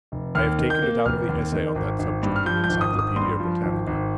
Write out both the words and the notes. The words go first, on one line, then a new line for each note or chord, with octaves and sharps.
I have taken it out of the essay on that subject in the "Encyclopaedia Britannica."
F1
D#2 F6
D#3
G6
A#3
F1 F6
D#2
D#3
G#1
G#1
G2
F6
F3 G6
G6
G#1
D#6
G#1
D#6
G2 C6
F3
G#1
G#1